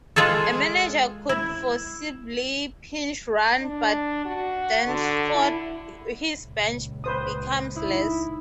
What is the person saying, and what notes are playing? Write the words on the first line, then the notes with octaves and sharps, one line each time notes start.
A manager could feasibly pinch-run, but thenceforth his bench becomes less.
G#3 F4 G#4 A4
E4
D4
F#4
D3
E4
C#2 A#2
B4 C5 D#6
D#4 E4